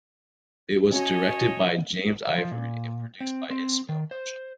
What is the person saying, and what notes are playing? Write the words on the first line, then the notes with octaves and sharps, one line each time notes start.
It was directed by James Ivory and produced by Ismail Merchant.
A3 C#4 F#4 C#5 D#5 G#5
F3
A#2
C4
C4
D#3
C5